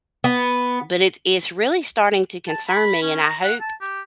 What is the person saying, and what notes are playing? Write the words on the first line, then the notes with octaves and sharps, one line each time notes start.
but it's it's really starting to concern me, and I hope
B3
A5
B5
C#4
A#5
F#5
A5
G4